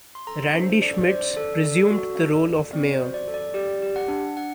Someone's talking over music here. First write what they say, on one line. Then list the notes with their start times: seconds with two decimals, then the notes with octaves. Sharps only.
Randy Schmitz resumed the role of Mayor.
0.15 C6
0.27 A4 A#5
0.54 D4 C5
0.82 A4 D5
1.01 C5
1.08 D4 D5
1.37 A4
1.64 A4
1.90 F#4
2.18 A4
2.45 A4
2.73 C4 D5
2.93 C5
3.00 F#4
3.14 D5
3.28 A4
3.34 D5
3.54 G4 D5
3.82 G4
3.96 F#5
4.08 D4
4.37 D4 F#5